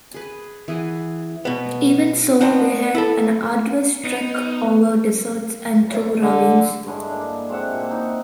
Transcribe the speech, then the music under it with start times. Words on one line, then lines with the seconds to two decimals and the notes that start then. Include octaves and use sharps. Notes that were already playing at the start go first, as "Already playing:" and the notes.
Even so, they had an arduous trek over deserts and through ravines.
0.14 G#4 B4
0.68 E3 G#4 B4 F#5
1.45 B2 B3
2.41 B3 C4 D4 D#4 F#5
2.95 E4 A4
4.04 B3 D#4
6.22 D3
6.86 G2 D3 G#3 E4
7.09 A#3 D4
7.49 G#3 C4 E5 F#5
7.73 A#2
7.91 D#4